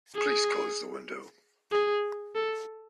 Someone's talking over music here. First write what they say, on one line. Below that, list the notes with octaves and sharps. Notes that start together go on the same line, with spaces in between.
Please close the window.
G#4
G#4
A4